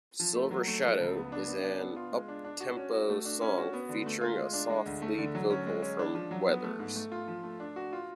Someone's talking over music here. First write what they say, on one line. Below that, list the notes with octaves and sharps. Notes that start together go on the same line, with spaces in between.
"Silver Shadow" is an uptempo song featuring a soft lead vocal from Weathers.
F3
A3
F#3
A3
F3
C#2
B3
D4
B3
D4
B3
F4
G#3
D4
D4
F#4
C#4
F#4
A3
D4
C#4
F#4
B3
D3
A3
F4
G#3
D4
G#3
D2
A3
D3
F#3
C#4
G#3
C#4
D4
F3
F#3
B3
A3
G#2
A3
F4
F3
A3
D4
F#4
F4